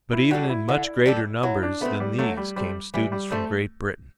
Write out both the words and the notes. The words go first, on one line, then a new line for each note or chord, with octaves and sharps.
But even in much greater numbers than these came students from Great Britain.
E4
G3 D4 F#4 A4
E4
D3
G3 D4 A4
F#3 E4
D4
A3 B3 C4
G3
F#3 A3
G3
G3 A3 C4
E3 G3
G3
G3 A3 C4